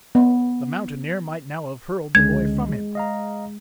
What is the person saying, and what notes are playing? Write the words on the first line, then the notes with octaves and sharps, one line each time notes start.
The mountaineer might now have hurled the boy from him.
B3
C#2 D3 G#3 C#4 G#6
D#5 F5 A#5